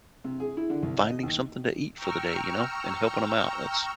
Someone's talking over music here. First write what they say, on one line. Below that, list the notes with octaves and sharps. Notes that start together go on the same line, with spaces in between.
finding something to eat for the day, you know, and helping 'em out. That's
C3
G#4
E4
D3
C2
D#5
D#2
G5 A#5 C#6 E6 F6